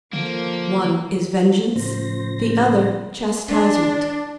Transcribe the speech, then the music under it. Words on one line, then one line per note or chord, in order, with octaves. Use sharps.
One is vengeance, the other, chastisement.
D3 F3 A#3
A2 C#3 F3 C5 A#6
D4